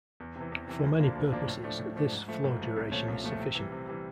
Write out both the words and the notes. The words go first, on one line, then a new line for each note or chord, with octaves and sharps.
For many purposes, this flow duration is sufficient.
E2
C3 E3
E2
C3 E3
D2
D3 F3 A#3 D4
D2
D3 F3 A#3 D4
A2
F3 A3 D4
A2
F3 A3 D4
G#2
F3 A3
G#2
F3 A3
C2
A#2 F3 A3 C#4
C2
A#2 F3 A3 C#4
C3
E3 G3
C3
E3 G3